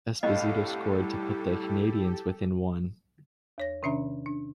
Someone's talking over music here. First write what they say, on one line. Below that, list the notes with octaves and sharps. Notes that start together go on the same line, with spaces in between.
Esposito scored to put the Canadians within one.
C2 A2 D4 G4 A4 D#5 F5
G3 E4
E2 C#5 A#6
C3 D#3 C#4 D4 E5 A#5
D4